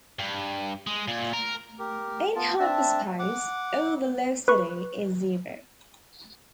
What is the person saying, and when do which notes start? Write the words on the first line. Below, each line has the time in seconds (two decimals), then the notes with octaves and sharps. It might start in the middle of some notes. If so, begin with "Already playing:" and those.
In Hyperspace, all velocity is zero.
0.19 G2
0.87 G#3
1.08 A#2
1.33 A#4
1.79 G4 A#4
2.35 B3 F4 A5
2.59 C4 D4 E5 A5
3.19 F#5 D6
4.48 B4 C#6